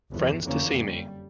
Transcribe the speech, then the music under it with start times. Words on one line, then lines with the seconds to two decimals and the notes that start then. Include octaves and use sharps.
Friends to see me!
0.13 G1 E2
0.43 F#1 F2 D3 E3 A#3 C#4
0.74 G3